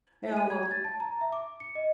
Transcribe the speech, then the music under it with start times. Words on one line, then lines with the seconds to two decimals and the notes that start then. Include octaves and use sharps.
Yeah, well,
0.23 E5
0.37 D#7
0.50 G#6
0.71 A6
0.84 A5
1.00 A#5
1.21 E5
1.32 D6
1.60 C#7
1.75 D#5